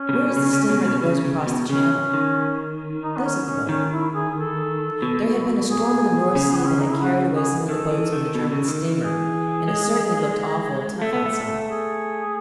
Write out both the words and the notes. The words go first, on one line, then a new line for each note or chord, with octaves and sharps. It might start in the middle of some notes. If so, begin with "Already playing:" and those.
'Where is the steamer that goes across the Channel?' 'This is the boat.' There had been a storm in the North Sea that had carried away some of the boats on the German steamer, and it certainly looked awful tough outside.
Already playing: C#4
C#3
B2
C#3
C#3
B2
B2
C#3
C#3
C#3
B2
C#3 C#4
D#3
D#4
B3
C#4
C#4
D#3 C#4
E4
G#4
A4
B2
G#4
C#3
B3
C#4
D#4
E4
F#4
G#4
D#3 A4
E3
D#3
B2
C#3
D#3
E3
G#4
G#3
A3 A4
B3
A3
G#4